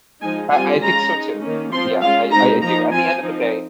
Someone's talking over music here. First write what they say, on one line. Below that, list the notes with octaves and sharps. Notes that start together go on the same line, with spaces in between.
I I think so, too. Yeah, I I I do. At the end of the day,
F3 G#3 D#4 G#5
G3 C4 F4 G#5
G#3 C#4 F4 A#5
G#3 D#4
D#3 A#3 C#4
F3 C4 F4 C6
G#3 C#4 F4 F5
G#3 C4 D#4 A#5
F3 A#3 D#4 A#5
F3 C4 F4 G#5
F3 C4 D#4